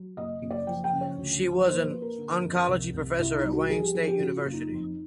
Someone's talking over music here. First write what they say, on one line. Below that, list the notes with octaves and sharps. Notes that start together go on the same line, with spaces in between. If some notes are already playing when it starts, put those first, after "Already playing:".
She was an oncology professor at Wayne State University.
Already playing: F#3
F#1 D#5
F#1
D5
F3 G5
G5
C#3
C#5
D2
F3
A#3 C5
B4
A#3
A#4
D3
F2
C2
C2
C2 E4
D#4
G3
F#4
F3 G#4
G4
F3 G#4
G4
C#3 F#4
F4
F#1
D#4
F2